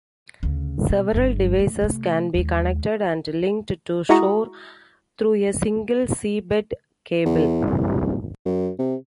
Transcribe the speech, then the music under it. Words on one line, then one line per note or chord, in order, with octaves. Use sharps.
Several devices can be connected and linked to shore through a single seabed cable.
D2 C#3
B2
G1 G2
A3
C3 A3
D#2 G#3
G#3 E4 F#4 A#5 C#6 D#6
E2
C2
F#2
C3